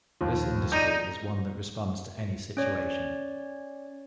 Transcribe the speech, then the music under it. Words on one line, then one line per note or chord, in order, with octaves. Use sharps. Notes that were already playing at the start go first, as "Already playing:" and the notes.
This industry is one that responds to any situation.
D#2 F3
D#4 D5 G6 D#7
C#4 C#5 D5